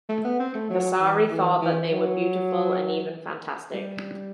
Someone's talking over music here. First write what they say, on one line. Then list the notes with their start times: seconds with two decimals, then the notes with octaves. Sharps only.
Vasari thought that they were beautiful, and even fantastic.
0.09 A3
0.25 B3
0.40 C4
0.55 A3
0.70 F#3
1.00 E3
1.30 E3
1.61 E3
1.91 F#3
3.73 G3